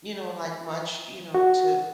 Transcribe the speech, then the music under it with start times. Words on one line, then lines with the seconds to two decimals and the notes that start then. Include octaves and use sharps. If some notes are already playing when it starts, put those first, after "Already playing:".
you know, like much, you know, to
1.35 F#4